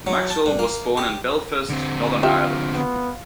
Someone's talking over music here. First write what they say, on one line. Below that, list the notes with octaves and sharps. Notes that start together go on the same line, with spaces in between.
Maxwell was born in Belfast, Northern Ireland.
F#3
A5
G2
A#3
G4
D3 C4
F4 G4 E5
B3